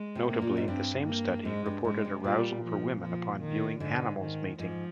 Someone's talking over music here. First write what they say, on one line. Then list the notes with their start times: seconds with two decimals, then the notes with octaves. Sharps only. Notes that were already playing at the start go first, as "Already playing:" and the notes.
Notably, the same study reported arousal for women upon viewing animals mating.
Already playing: G#3
0.15 C3
0.28 A#3
0.42 A#2
0.57 G#2
0.68 G2 C4
1.06 A#3
1.45 G#2 G#3
1.66 G2
1.85 G#2 G#3
2.05 C3
2.24 A#2 G3
2.64 F3
3.02 F3
3.41 D#3
3.80 G#2 D3
4.20 D#3
4.59 G#2 F3